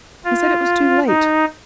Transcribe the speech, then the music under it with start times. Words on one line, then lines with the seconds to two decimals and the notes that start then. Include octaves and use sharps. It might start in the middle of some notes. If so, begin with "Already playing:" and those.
He said it was too late.
0.25 F4
1.07 D#4